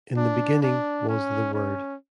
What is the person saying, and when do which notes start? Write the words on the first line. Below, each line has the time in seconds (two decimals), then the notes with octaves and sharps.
In the beginning was the Word.
0.17 D4
0.63 D4
1.09 C#4
1.54 C#4